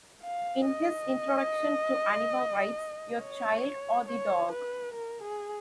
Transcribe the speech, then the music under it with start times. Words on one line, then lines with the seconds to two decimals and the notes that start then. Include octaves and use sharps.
In his Introduction to Animal Rights: Your Child or the Dog?
0.24 F5
0.66 D#5
3.22 C#5
4.08 C#5
4.52 B4
4.94 A#4
5.22 G#4